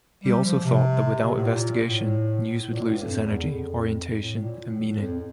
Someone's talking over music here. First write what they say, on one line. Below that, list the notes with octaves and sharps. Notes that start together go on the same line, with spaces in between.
He also thought that without investigation, news would lose its energy, orientation and meaning.
G3
F3
C3
A2
A#2
A2
A2
A#2
A2
G2
F2
E2
F2
A2
A#2
A2
F2